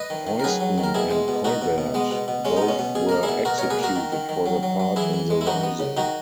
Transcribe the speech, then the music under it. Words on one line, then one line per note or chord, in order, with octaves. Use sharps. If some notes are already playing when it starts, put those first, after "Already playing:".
Heuston and Colbert both were executed for their part in the Rising.
Already playing: B4 D#5
D#3
D#3
A#4
F#3 G#4 B4
F#3
D#3
A#4
B2 E4 G#4
G#3
B2
B2 D#4 F#4
B2
B2
G#3 B3
B2
B2
G#3 C#4
D#4
B2
C#4
B2
B2 G#4
A#3 A#4
E4 G#4
B2
B2 F#4 A#4
B2 A#4 C#5
G#4 B4
A#3 F#4 A#4
D#3
D#3
D#3
F#3
F#3
F#3
E3 E4 G#4
E3
G#3
E4
E3 D#4 F#4
B3
C#3
D#3 D#4 F#4